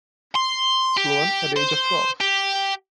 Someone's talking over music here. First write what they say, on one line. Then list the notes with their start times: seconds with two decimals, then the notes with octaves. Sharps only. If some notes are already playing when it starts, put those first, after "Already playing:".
Sloan, at the age of twelve.
0.35 C6
0.97 G4
1.56 C5
2.20 G4